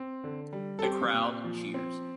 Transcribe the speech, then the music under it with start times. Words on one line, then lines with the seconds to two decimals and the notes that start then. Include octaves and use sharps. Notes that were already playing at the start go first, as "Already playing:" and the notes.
The crowd cheers.
Already playing: C4
0.24 D3
0.53 G3
0.79 A4
0.83 C4 G4
1.13 A#2
1.44 F3
1.74 C4